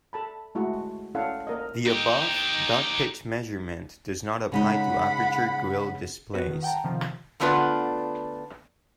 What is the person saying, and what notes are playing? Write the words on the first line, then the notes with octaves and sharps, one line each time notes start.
The above dot pitch measurement does not apply to aperture grille displays.
A4 A5 B5
G#3 A3 E4 F#4 F#5
C#4 E4 A4 D5 F5 F#5
A#3 A#4 D5 D#5
D#4 G4
C#3 G#3 D#4 F#5 B5
B3 F#4 B4
E2 D#3
F#5 G5 A5 A#5
C3 D#3 F3
D3 A3 B3 D4 F4 B4